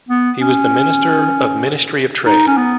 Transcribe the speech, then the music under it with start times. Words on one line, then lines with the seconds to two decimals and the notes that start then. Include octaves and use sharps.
He was Minister of Ministry of Trade.
0.09 B3
0.41 C#4
2.26 D#4
2.47 C#4
2.58 B3